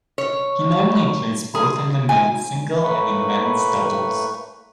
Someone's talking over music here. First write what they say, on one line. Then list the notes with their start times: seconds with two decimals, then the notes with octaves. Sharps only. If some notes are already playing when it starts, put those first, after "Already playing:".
He normally plays both in the men's singles and in men's doubles.
0.18 C#5
1.55 G#4
2.09 G#5
2.83 A2 A3 A#3 B4 B5 C#6